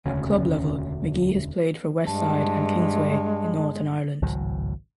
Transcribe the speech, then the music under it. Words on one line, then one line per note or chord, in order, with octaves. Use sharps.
At club level Magee has played for Westside and Kingsway in Northern Ireland.
E1 D2 C#3 C#4
G2 G#3 A5
G#1 C#2 A2 F#3